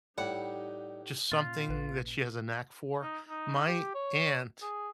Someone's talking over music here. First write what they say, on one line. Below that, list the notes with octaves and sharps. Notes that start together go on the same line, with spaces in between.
just something that she has a knack for. My aunt
A2 G3 D#4 G4 F#5
A#2 C#4 F4
A1 B4
D#4
D#4
G4
C#5
G#4